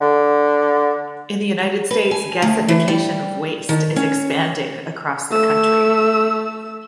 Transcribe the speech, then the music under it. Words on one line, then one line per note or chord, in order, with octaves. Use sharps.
In the United States, gasification of waste is expanding across the country.
D3
B4
G#5
D2
E3
G3
D#3
C#4
A3 E6